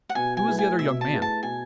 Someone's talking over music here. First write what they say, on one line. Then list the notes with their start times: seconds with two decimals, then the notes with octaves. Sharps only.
"Who is the other young man?"
0.09 F#5
0.15 B2 G#5
0.37 G#5
0.48 A3 E4 G#4 B4
0.59 G#5
0.79 B2 E5
1.01 A5
1.11 A3 E4 G#4 B4
1.22 A5
1.43 B2 G#5